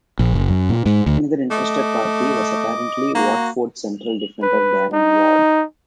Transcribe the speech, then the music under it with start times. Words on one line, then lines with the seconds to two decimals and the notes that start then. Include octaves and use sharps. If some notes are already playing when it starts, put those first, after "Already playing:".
Another interested party was apparently Watford central defender Darren Ward.
0.19 A#1
0.33 F#1
0.50 F#2
0.69 A#2
0.86 G#2
1.06 D2
1.50 A3 D#5 D6
3.15 A#3 F#4
4.42 B4
4.93 D#4